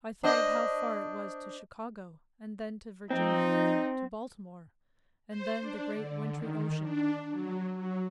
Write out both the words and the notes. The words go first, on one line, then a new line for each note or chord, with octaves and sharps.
I thought of how far it was to Chicago, and then to Virginia, to Baltimore,--and then the great wintry ocean.
D4 C5 D#5
F3 C4 D#4
C5
D4
D3
D#3
D4
F#3
F#3